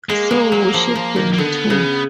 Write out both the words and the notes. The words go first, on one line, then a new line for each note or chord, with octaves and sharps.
So worship them too!
G#3 A#3
G#3
F#3
F3
F3
D#3
A#3
D3 B3
C#3